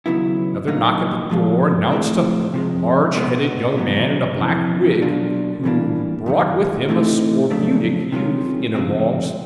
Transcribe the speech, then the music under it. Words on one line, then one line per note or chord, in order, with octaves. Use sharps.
Another knock at the door announced a large-headed young man in a black wig, who brought with him a scorbutic youth in a long stock.
D#2 C#3 F#3 B3 E4
A#2 F#3 A#3 D#4
G#2 F3 G#3
A2 F3 G#3 C4
C3 F3 G#3
B2 G#3 B3
E2 B2 F#3 B3
F2 C3 E3
B2 F#3 A#3 D4 F4
A2 E3 G3 A#3 D4
F#2 D#3 F#3
A2 E3 A3 C4 D#4
F2 C#3 F#3 A3 D4
C3 D#3 G#3 C#4 F4
D2 C#3 F3 G#3 C4